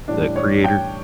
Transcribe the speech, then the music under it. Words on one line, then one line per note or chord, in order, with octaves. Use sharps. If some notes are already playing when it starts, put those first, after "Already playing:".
the creator?
A2 E3 G3 D4
C#5
G5